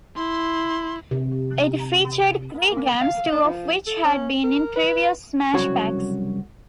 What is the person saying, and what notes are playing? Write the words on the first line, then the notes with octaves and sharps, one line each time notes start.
It featured three games, two of which had been in previous Smash Packs.
E4 C6
C3
A#3
F5
D4
F3
A4
C#4
A#4
B4
C2 F2 C#3 F#3 F#4 C#5